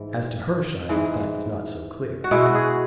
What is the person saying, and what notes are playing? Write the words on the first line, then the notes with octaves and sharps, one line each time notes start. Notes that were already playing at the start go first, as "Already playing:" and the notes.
As to her shyness, that was not so clear.
Already playing: G#2 E3
G#2 E3 G#3
F#4
B2 G#3 E4
F#4
G#4